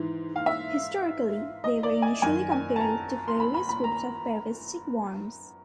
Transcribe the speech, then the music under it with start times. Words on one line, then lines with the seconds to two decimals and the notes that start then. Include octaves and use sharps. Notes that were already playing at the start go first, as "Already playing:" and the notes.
Historically, they were initially compared to various groups of parasitic worms.
Already playing: G#2 E3
0.36 F5
0.46 E5
1.64 D#5
1.83 D5
2.02 G#5
2.22 F#2 D#3 G#5
2.52 G#5
2.76 A5
2.81 A#5
3.28 C6
3.40 B5
3.54 B5
3.69 B5
3.84 A#5